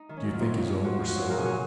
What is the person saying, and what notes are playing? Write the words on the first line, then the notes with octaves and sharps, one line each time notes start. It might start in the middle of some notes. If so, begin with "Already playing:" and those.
"Do you think his own were similar?"
Already playing: D#4
D#3
C#4
F#2
F4
F2 D#4
F2
F2
F3 F#4
F3
F#4
F#2
A#2 A#4
G#4
A#2 F#4